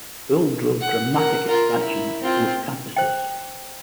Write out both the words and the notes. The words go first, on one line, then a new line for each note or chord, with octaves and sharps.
Bill drove dramatic expansion of both campuses.
F#5
A#4 F#5
F4 A#4
E4
C4 F4
C5 G5